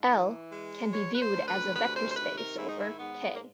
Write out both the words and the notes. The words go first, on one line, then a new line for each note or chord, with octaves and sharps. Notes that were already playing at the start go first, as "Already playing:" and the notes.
"L" can be viewed as a vector space over "K".
Already playing: G#2
E3
G#3
F#3 C#5
B4
C5
D2
B4
C3 B4
C5
C5
D#3 B4
A#4
G#2 E4
D#4
E4
G#2 B3
A#3